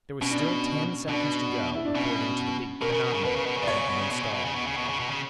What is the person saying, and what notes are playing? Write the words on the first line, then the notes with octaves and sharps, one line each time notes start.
There was still ten seconds to go, according to the big chronometer that had been installed in the lock.
B2 C#4
D4
C#4
B2 D4
E4
D4
B2 C#4
B2 A#4
C#3
B2
C#3
B2 B4
C#3
B2
C#3 D5
B2 C#5
C#3
B2
C#3
B2
C#3
B2
C#3
B2
C#3
B2
C#3
B2
C#3